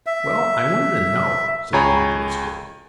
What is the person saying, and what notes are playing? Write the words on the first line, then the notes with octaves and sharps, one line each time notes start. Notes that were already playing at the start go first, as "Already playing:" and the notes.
"Well, I wanted to know," said the little boy squirrel.
E5
C#2 G#4 C#5 A#5 B5